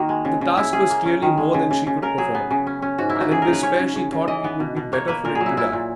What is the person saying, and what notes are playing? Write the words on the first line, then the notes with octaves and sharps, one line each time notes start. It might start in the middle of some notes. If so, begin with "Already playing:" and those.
The task was clearly more than she could perform, and in despair she thought it would be better for it to die.
Already playing: D#3 A#3 F#4
G#3
C#3
C#3
C#3 E4
C#4 G#4
A#3
C#4
D#3
G#3
C#3
C#3
C#3
C#3 A#4
F#3 G#4
B3
C#3
C#4
C#4
G#2 F#4
E4
A#3
F#4
C#3 G#4
A#4
C#3
B4
C#4 C#5
C#3
C#3
C#3
E3 D#5
B3
B2
B2
A#3 C#5
A#3 B4
A#2 A#4
G#4
F#3
E4
A#2 E4
A#2